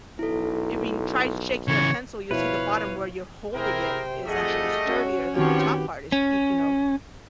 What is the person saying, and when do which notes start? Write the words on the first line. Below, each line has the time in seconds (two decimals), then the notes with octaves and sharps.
I mean, try shaking a pencil, you'll see the bottom where you're holding it is actually sturdier than the top part is, y you know,
0.19 B1 E4 A4
1.68 C#3 E3 C#5
2.31 B2 F3 E4 B4 C#5 F5
3.54 C3 E4 G#4 A#4 C5 G5
4.25 F2 G3 A3 G#4 D#5 F#5
4.88 C#4 F#4
5.37 D#3 F3 C4 F#4 G4 B4 C#5
6.12 C#4